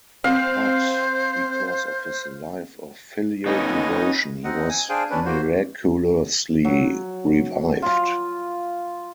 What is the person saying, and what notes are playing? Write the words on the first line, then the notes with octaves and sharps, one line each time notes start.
But, because of his life of filial devotion, he was miraculously revived.
C4 C5 F5
C#3 A3 B3 C#4 D#4 D#5
C4 D#4 D#5 F#5
G#5
D4 G#4 C5 F5 G5 G#5
C#4 D4 B4
A#3 F#4 C5
F#3
F4